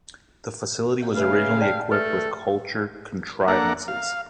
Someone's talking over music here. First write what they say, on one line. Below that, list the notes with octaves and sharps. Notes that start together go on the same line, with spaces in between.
The facility was originally equipped with culture contrivances.
C#3 A3 B4 E5 F5
D5 G5 A5
A3 A4 B4
A#3 D4 A4 F#5 A#5
F5